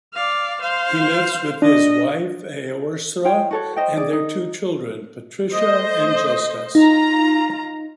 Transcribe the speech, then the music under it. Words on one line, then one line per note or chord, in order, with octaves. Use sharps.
He lives with his wife, Aorsra, and their two children, Patricia and Jostas.
D5 F5
C5 F5
D4 D#5
F4 C#5 G5
F#4 A4 C#5
C5 D#5 G5
G#4 D5
D#4
A3 C5 D#5
D#4 F4 A#5